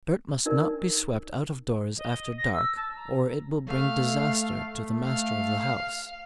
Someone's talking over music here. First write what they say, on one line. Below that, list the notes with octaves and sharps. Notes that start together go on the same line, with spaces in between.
Dirt must not be swept out of doors after dark, or it will bring disaster to the master of the house.
D4 D#4 A#4 D5
D#5
A#6
E6
A5
A#5
A3 F5
F5